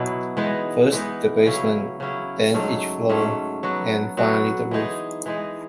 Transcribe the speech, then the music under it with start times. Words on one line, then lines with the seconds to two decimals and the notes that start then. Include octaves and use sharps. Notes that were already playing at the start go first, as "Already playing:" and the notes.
First the basement, then each floor, and finally the roof.
Already playing: B2 F#3 B3 E4
0.37 E3 G#3 B3 D#4
0.92 E3 G#3 B3 D#4
1.46 C#3 F#3 C#4 E4
2.00 C#3 F#3 C#4 E4
2.54 G#2 F#3 A3 C#4
3.09 G#2 F#3 A3 C#4
3.63 F#3 B3 F#4
4.17 F#3 B3 F#4
4.71 E3 G#3 D#4 G#4
5.26 E3 G#3 D#4 G#4